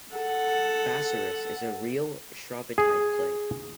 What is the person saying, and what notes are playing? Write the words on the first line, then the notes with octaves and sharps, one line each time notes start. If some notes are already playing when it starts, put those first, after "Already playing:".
"Bassarus" is a real Shrovetide play.
A4 F#5
G#4